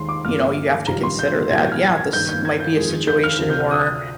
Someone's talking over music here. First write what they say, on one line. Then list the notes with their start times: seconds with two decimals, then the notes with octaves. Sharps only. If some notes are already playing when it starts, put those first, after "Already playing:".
you know, you have to consider that, yeah, this might be a situation where,
Already playing: D#2 D#3 G#3 C6
0.09 D6
0.24 G1 G2 F3 A#3 F6
0.87 A#1 G#2 D#3 G3 A#5
1.04 C6
1.19 G6
1.51 A#1 G#2 G3 A#3 G#6
1.60 G6
1.72 F6
1.98 G#6
2.13 G2 D#3 A#3 G6
2.29 G6
2.45 G#6
2.60 G6
2.76 F2 D#3 G#3
3.07 G6
3.24 F6
3.39 D2 C3 F3
3.50 G6
3.60 F6
3.71 D#6